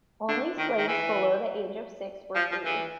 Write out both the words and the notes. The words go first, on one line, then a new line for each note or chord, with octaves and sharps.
Only slaves below the age of six were freed.
D3
D#3
D#3
E3
F3
F3
E3